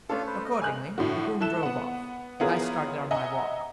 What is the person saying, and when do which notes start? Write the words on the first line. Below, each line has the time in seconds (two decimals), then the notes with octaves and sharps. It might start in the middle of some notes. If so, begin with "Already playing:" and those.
Accordingly the groom drove off, and I started on my walk.
0.09 A3 C#4 D4 F4 A4 F5
0.27 B4 C5
0.45 D#5
0.61 G#3 G#5 F6 F#6
0.98 A2 D3 F#4
1.40 E4 A4 F#6 E7
1.63 B3 F#5
2.40 B3 E4 F4 G#4 A#4 C#5
3.11 D#5 E5 F#5 G#5 A#5